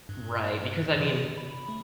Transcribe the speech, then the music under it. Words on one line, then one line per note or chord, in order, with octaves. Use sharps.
Right, because, I mean,
G2
C3 E3 G#4
B5
A3